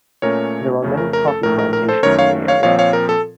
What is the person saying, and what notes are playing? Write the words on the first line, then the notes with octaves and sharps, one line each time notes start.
There are many coffee plantations in the area.
A#2 A3 C#4 A#4 C#5
F2 C#3 A3 C#4
A#4
A#4
A4
A#1 A2 A3 A#4
A#4
A#4
A4 C5
F#2 D#3 A3 C#4 A#4 C#5
C#5 F5
C#5 F5
A#2 F3 C4 C#5 F5
C#5 F5
A#4
A4